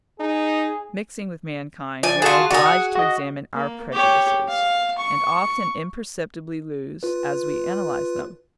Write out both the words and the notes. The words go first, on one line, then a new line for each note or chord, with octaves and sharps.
Mixing with mankind, we are obliged to examine our prejudices, and often imperceptibly lose, as we analyse them.
D#4 G#4
F3 D5 G#5
F4 F#4 G#4 A5 C#6
F#4 G#4 D5 A#5
F#5
F#4 D#5
A#3
G4 C#5
F5
C#6
F4 B4